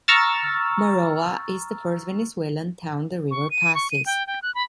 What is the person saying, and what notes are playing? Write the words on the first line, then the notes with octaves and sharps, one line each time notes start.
Maroa is the first Venezuelan town the river passes.
A#5 C#6 E6 F6 A6
C#6
D#7
C#6
D#7
G5
G5
F#6
B5